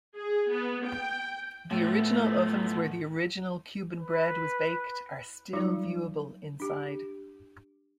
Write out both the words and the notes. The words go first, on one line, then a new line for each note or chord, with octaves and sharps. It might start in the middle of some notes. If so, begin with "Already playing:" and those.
The original ovens where the original Cuban bread was baked are still viewable inside.
G#4
B3
G5
A2 F3 A3 B3
B4
F#3 G3 D#4 F4
D4 G4